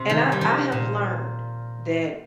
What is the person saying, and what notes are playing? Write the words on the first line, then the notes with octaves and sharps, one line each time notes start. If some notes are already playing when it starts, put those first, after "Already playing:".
And I I have learned that
Already playing: C3
D#3
G3
F3
A#2